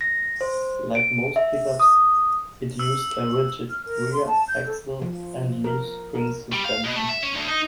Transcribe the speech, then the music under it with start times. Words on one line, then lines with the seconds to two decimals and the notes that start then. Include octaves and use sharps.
Like most pickups, it used a rigid rear axle and leaf spring suspension.
0.01 A#6
0.41 C5
0.95 D7
1.36 E5
1.80 D#6
2.79 E6
3.70 F6
3.86 A#4
4.12 C6
4.27 A5
4.48 G6
4.66 A4
5.02 F3
5.64 A#4
6.15 A#4
6.52 G3
6.65 F5
6.84 B2
6.96 A3
7.09 E5
7.23 C#4
7.35 D2
7.49 D#4